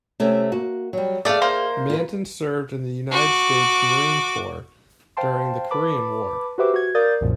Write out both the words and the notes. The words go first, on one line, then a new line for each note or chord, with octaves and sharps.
Manton served in the United States Marine Corps during the Korean War.
C3 A3 C#4
A#3 F#4
F#3 G3
A3 G#4 D5 F5
A#3 C5
F4 B4
F#4 D6
C5 F5 G5 A5 C6
B4 A5 B5 D6
F#4 G4 B4 C5 E5 D6
F#4 G#6
A#4 D5 F5 D#6 G6 A6
C2 F#2 A#2 F3